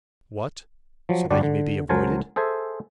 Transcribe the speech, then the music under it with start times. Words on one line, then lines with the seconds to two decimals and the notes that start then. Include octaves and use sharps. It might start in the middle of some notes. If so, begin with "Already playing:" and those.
"What! so that you may be avoided?"
1.09 F3 F#3
1.30 G1 G2 G3 F#4 D5 A5
1.43 D3
1.89 C#2 F#3 A#4 C5 G#5 A5
2.36 G#4 A4 C5 E5 G#5